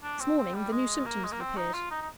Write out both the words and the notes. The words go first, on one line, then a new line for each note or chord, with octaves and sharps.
"This morning the new symptoms have appeared."
D4
C4
C4
G3
G#3
A#3
G#3
A#3
C4
D#4
F4
D#4
D#4